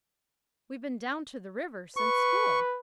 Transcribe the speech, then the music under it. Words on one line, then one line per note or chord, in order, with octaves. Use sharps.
"We've been down to the river since school."
B4 C#6